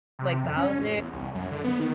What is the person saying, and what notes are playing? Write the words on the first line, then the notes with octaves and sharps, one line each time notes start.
like, Bowser,
C3
F2
C#4
A1
E2
C2
F#2
D3
B3
D#3